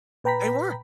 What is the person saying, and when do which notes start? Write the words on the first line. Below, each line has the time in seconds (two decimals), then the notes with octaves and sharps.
They were.
0.24 A#2 B4 G5 A#5 B5 B6